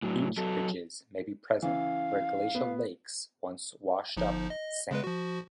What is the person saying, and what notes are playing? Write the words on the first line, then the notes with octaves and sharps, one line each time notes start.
Beach ridges may be present where glacial lakes once washed up sand.
A2 F#3
F#3 A4
C#3 E3 F5
B3
G1 F3 D#4
D#5
C#3 G#3 B4
F3 F#4